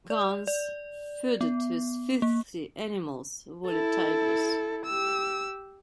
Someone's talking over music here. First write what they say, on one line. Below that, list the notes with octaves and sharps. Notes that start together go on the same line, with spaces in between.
Gunns feuded with the Filthy Animals' valet Tygress.
D5
D5
B3
A#3
E4 A4
G4 E6